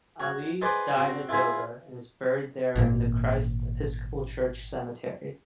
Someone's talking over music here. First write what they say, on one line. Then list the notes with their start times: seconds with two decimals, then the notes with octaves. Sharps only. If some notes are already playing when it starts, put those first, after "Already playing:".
Allee died at Dover and is buried there in the Christ Episcopal Church Cemetery.
0.20 F#4 C#5
0.62 D#4 G#4 B4 C5 D5
0.95 C4 F#4 F#5 G5
1.29 E4 F4 G#4 C5 E5
2.76 G#1 A#2 C#3 A#3